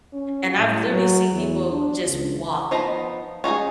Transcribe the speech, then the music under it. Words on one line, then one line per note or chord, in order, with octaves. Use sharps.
and I've literally seen people just walk
C#4
A2
F#3
E2
D4
C#2
F3 B3 D#4 A#5
C#4 D#4 F4 G#4